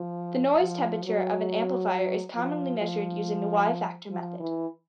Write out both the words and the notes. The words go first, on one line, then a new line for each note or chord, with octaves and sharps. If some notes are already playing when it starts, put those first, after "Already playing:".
The noise temperature of an amplifier is commonly measured using the Y-factor method.
Already playing: F3
F3
F#3
F3
F3
F3
E3